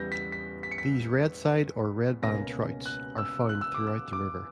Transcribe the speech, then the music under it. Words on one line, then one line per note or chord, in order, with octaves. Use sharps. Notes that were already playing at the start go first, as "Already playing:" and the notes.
These redside or redband trouts are found throughout the river.
Already playing: E2 C#3 G3 B3 G6 A#6
B6
B6
B6
C#7
B6
C#2 B2 A#3 C#4 A#6
F#6
E6
F#6
E6
D6
E6
D6